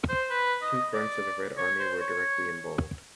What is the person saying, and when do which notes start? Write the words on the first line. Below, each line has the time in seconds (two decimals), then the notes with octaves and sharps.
Two Fronts of the Red Army were directly involved.
0.09 C5
0.30 B4
0.62 D#5
0.94 D5
1.58 C#5
1.79 C5
2.01 C#5